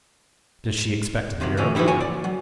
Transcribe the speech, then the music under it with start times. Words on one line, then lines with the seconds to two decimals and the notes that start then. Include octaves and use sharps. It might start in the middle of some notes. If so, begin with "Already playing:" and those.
Does she expect a miracle?
1.40 G2 C3 D#3 E3 F#3
1.57 D2 A2 E3 C#4
1.75 F#3 G#3 D#4 E4 G4
1.88 C#2 F#2 A#3 C#5 G#5
2.00 D5
2.24 F#3